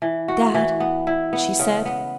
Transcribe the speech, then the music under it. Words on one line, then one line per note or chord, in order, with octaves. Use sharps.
"Dad!" she said.
E3
F#4
E3
B3
E4
B3
C#3
B3